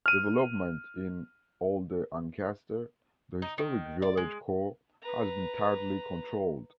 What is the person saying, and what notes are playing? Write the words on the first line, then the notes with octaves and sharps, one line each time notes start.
Development in "Olde Ancaster", the historic village core, has been tightly controlled.
F6 D#7
D#4
D#3
D5
G#3
B4 A#5